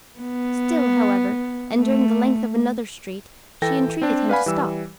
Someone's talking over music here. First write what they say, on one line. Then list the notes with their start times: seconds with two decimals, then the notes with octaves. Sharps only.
Still, however, and during the length of another street, she entreated him to stop.
0.19 B3
1.78 A3
3.62 E3 A4 G5 A#6
4.02 C4 D4
4.29 B4 D5 F5 F#5 G#5 B5
4.46 E3 G3 E6